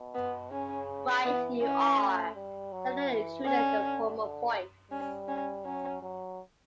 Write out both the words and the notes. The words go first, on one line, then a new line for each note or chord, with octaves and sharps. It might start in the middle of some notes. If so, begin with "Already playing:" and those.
"Right you are," said the intruder in the former voice.
Already playing: B2
B3
C#3 C#4
E3 B3
C#4
A3
G3
F#3
E3
D3 C#4
D3
G3 C#4
C#4
F#3 C#4
F#3